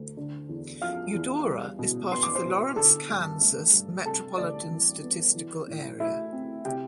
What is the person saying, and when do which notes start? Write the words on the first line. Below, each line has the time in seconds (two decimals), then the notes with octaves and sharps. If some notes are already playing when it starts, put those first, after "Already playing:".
Eudora is part of the Lawrence, Kansas Metropolitan Statistical Area.
Already playing: D2
0.17 D3
0.49 E2
0.82 F3 F5 F6
1.14 E2
1.46 G3
1.79 B2
2.11 B3 C6
2.23 D6
2.35 C5 C6
2.44 B2
2.76 D3 A4 A5
3.09 G2
3.41 A3
3.73 G2
4.06 C3 A4 A5
4.38 D2 D5
4.71 E3
5.03 B3
5.35 E3
5.68 A2
6.00 A3 E4 E5
6.33 C4
6.65 C3 G4 G5